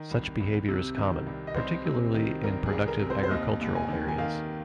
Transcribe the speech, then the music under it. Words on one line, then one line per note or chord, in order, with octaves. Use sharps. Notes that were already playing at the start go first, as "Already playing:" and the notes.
Such behaviour is common, particularly in productive agricultural areas.
Already playing: D#3
C2
C2
C3
D#3
C2
D#5
C2 C5
C3
D#3
C2 A#4
G#4
C2
A#4
C3
C5
C5
D#2 D#5
D#2
G#5
D#3
G#5
D#3 F5